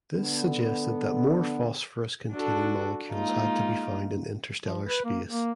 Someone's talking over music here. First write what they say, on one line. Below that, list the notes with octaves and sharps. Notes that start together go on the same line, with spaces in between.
This suggested that more phosphorus containing molecules had to be found in interstellar space.
D3 B3
D4 F#4 A4
G#3 A#3 D#4 F4
F3
B4
A#3
A#3